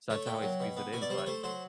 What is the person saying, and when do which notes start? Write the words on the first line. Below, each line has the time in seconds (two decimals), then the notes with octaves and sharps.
so, that's how I squeeze it in, but
0.10 A3 C#5
0.26 A#2 G5
0.42 F#3
0.60 B2
0.77 B3
0.93 B2 G#5
1.02 D5
1.10 G3 C5
1.18 C#5
1.26 A3 C5
1.43 F#3 C5